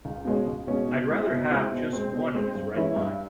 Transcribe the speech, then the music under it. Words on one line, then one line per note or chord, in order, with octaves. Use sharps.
I’d rather have just one in his right mind.
C#2
B2 G#3 C#4
C#2
B2 G#3 C#4
B2
G#3 C4 E4
B2
G#3 C4 E4
B2
G#3 C4
B2
G#3 C4
G2
E3 G#3 C#4 E4
G2